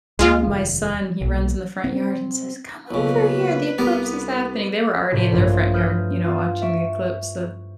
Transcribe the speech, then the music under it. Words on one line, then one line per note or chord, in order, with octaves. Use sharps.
my son, he runs in the front yard and says, "Come over here, the eclipse is happening." They were already in their front yard, you know, watching the eclipse, so
D2 G#3 A#3 F4 F5
F1 D#2
B1 A#2
C4
B1 A#2 C#3 B4
C2 B3 G4 A#4
F1 A2 C5 D5 B6 D7
A#1 G2 A3 F4 G#4 C#5
B4 D#6 F6 G6
F4 A6
E5 C#6 D7